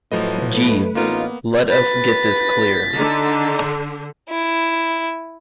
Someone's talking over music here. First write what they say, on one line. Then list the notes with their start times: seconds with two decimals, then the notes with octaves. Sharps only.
Jeeves, let us get this clear.
0.12 A2 F3 F#3 A3 B4 D#5
0.95 A1 A#3 B3 D#4 F4
1.71 B4 A6 B6
2.96 D3 D#4
4.30 E4